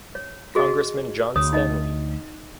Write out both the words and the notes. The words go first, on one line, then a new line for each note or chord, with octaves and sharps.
Congressman John Stanly.
C#5
F#4 G#4 D#5
D2 C#5 D#6
D#4 D#5